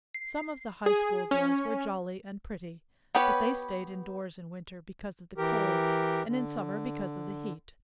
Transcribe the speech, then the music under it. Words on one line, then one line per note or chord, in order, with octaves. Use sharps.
Some of the High-School girls were jolly and pretty, but they stayed indoors in winter because of the cold, and in summer because of the heat.
C7
G#4
C#4
B3 G4 B4 C#5
E3 G4 A#4
D3